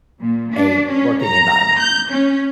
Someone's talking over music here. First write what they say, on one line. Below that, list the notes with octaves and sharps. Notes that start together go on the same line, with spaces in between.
a working environment.
A#2
D4
C#4
A#5
G6
C#4